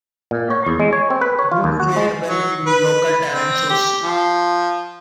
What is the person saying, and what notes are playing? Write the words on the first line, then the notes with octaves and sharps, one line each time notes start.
The group fared well in local talent shows.
A#2
C#5
E2
G#3
C#5
C4
B4
C#5
F4
D#2
F#4
G#3
F#3
B4
C4
G4
F3